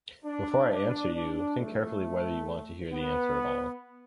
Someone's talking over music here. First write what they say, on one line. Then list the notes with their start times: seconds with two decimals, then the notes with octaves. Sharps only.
Before I answer you, think carefully whether you want to hear the answer at all.
0.24 D4
0.69 D4
1.14 D4
1.58 A3
2.92 B3